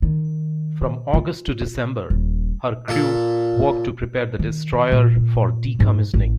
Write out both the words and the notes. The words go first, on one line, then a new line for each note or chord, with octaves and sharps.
From August to December, her crew worked to prepare the destroyer for decommissioning.
D#3
F4
D#1
A#2 A4
D#3
A#2
F2 G#2
A1